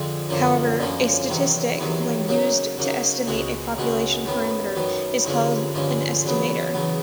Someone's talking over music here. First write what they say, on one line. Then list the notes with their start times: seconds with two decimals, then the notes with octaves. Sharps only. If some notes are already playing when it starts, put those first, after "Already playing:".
However, a statistic, when used to estimate a population parameter, is called an estimator.
Already playing: F2 D3 F3 G#3 C4
0.29 F#2 D3 F3 A#3 C#4
0.79 F#2 D3 F3 A#3 C#4
1.29 E2 C3 D#3 F#3
1.79 E2 C3 D#3 F#3
2.28 C#3 F#3 A#3 D#4
2.77 C#3 F#3 A#3 D#4
3.27 C#2 B2 G#3 C#4 F#4
3.77 C#2 B2 G#3 C#4 F#4
4.26 F#2 D#3 F#3 B3
4.75 F#2 D#3 F#3 B3
5.25 G2 D3 F3 G#3 C#4
5.75 G2 D3 F3 G#3 C#4
6.24 E2 C#3 F#3 B3
6.74 E2 C#3 F#3 B3